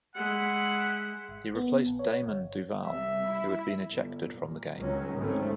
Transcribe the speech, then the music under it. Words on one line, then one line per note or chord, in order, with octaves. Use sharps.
He replaced Damon Duval, who had been ejected from the game.
G#3 E4 F#5
G#1
B3
A#1
C#5
G1
C2 E5
E4
G1
A#2
C#2 D#3 F#3 C#4
G#1 G#2 D#3 A3 C4 C#4